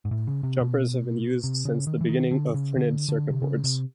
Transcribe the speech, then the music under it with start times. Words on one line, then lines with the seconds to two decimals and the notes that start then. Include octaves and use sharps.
Jumpers have been used since the beginning of printed circuit boards.
0.05 G#2
0.11 A2
0.27 C#3
0.43 C3
0.61 B2
1.44 C3
1.65 C#3
1.87 D#3
2.01 E3
2.09 D#3
2.31 D3
2.54 C#3
2.76 D3
3.09 D3
3.30 C3
3.42 C#3
3.64 C3